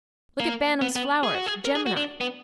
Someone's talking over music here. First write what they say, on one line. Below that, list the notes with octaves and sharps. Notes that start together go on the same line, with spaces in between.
Look at Bantam's flowers. Gemini.
A#3
B3
B3
G#4
F#4
G#4
A#4
G#4
F#4
D4
B3